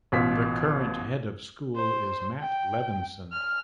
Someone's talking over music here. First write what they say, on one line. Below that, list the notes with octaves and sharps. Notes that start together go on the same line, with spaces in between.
The current head of school is Matt Levinson.
A1 B2 F4 B6
C5
G5
F6